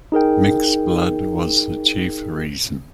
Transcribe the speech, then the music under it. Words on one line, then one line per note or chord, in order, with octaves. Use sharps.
Mixed blood was the chief reason.
D#4 G#4 A#4 G5